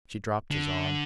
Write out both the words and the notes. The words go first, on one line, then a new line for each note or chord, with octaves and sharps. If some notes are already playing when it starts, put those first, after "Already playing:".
She dropped his arm.
D3